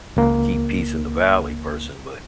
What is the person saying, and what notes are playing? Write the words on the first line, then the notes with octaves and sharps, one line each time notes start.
keep peace in the valley person, but
C#2 A#3